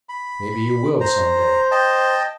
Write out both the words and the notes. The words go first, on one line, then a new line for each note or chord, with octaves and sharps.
"Maybe you will some day."
B5
C5 A#5
D#5 G5 A5